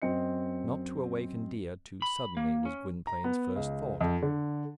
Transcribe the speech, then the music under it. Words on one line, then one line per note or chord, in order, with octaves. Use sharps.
Not to awaken Dea too suddenly was Gwynplaine's first thought.
F#2 C4 D#5 C#7
B5
A#3
C#4
A#5
B3
C#2
F2
D3